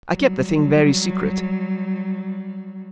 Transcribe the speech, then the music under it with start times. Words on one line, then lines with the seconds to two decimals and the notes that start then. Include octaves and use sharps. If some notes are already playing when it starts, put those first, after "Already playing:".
I kept the thing very secret.
0.14 F#3 G3